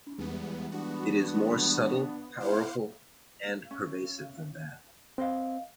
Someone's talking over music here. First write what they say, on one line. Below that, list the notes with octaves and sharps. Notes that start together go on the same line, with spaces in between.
It is more subtle, powerful and pervasive than that.
E2 E3 G3 G#3 B3
B3 D4 F#4
E4 C5 F5 F#5 D6
C#4
C4 B4 D#5 F5